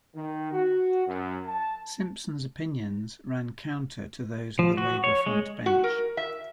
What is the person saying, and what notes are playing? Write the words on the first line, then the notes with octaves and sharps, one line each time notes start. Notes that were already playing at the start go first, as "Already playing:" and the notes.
Simpson's opinions ran counter to those of the Labour frontbench.
D#3
F#4
F#2
A5
F3
F#4
C#5
G#3
F#4
A#4
E5